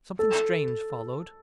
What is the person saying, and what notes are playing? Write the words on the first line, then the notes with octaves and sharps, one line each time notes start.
Something strange followed.
A4